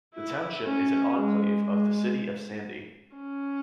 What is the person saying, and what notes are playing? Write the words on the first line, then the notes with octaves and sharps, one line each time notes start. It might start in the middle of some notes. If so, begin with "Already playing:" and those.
The township is an enclave of the City of Sandy.
E4
C#4
G#3
G#3
C#4